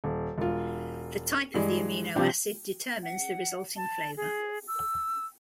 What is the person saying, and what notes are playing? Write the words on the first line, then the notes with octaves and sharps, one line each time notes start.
The type of the amino acid determines the resulting flavor.
D#1
E1 F4
G2 E3 G#3
C3 F3 G3 C4 D4
F#5
A5
G#4
E6